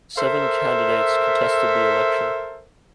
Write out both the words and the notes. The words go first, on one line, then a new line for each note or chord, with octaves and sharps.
Seven candidates contested the election.
A4 A#4 C5 E5